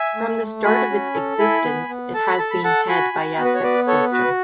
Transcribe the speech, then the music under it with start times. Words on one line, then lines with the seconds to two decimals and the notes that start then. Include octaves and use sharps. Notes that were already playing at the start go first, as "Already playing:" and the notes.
From the start of its existence it has been head by Jacek Socha.
Already playing: E5 G#5
0.15 A3
0.40 A3
0.64 F#4 G#5 B5
0.90 C#4
1.14 A4
1.39 E4 G#5 B5
1.64 B3
1.89 B3
2.14 A4 A5
2.26 B5
2.38 A4 A5
2.51 B5
2.64 A4 F#5 A5
2.88 F#4 G#5 B5
3.13 F#4
3.38 B3
3.45 B4
3.54 C#5
3.63 B3 B4 D5
3.87 A4 C#5
4.12 F#4 B4